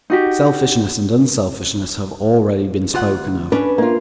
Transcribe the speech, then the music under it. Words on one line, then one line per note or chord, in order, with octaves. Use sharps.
Selfishness and unselfishness have already been spoken of.
D#4 F#4 G4
D2 F4 F#5
C#4 D4 B4
A#3 F4